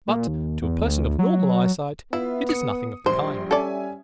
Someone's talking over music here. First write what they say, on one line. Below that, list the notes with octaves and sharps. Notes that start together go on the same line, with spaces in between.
But, to a person of normal eyesight, it is nothing of the kind.
A#2
D#2
E2
D2
F#3
B3 E4 F4 E5
D#6 C#7
A#1 G3 C5 C6
C#4 A4 D5 E5 G#5